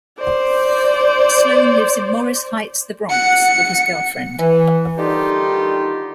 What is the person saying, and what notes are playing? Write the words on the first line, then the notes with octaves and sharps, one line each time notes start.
Sloan lives in Morris Heights, the Bronx with his girlfriend.
C5 D5
F#5 C#7
E3
D3 D#3 G3 D#4 F4 G4